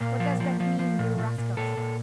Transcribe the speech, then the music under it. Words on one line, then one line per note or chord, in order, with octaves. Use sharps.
What does that mean, you rascals?
A#2 A#3
F3
F3
F3
F3
A#2
A#2
A#2
A#2 A4
A#2